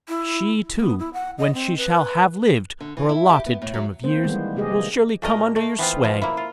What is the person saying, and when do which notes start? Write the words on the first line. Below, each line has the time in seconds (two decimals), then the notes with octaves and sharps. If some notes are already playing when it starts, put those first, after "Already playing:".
She too, when she shall have lived her allotted term of years, will surely come under your sway.
0.08 E4
0.76 B3
0.99 E4
1.14 F#5
1.38 D#5
1.54 C4
1.78 B4
2.80 D3
2.97 E3
3.09 E4
3.30 G4
3.46 B3
3.62 A2
3.74 F#3
4.04 A#3 C4 C5
4.24 D#3 E3 G3 G#3 A#3 B3
4.56 C3 G#3 A#3 G4 G#4 D#5
5.22 A#2 A3 A#4 D#5
5.56 A3
5.78 E3 B3 C4 F4
6.03 B2 F3
6.22 A#3 E4
6.37 F4